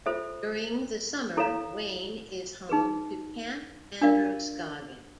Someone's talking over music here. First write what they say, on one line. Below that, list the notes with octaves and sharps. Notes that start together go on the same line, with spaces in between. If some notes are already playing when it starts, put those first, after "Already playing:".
During the summer, Wayne is home to Camp Androscoggin.
F4 A4 C5 E5
E4 A4 C#5 F5 A#5
D#4 G#4 B4
D4 F4 A#4 D5 F5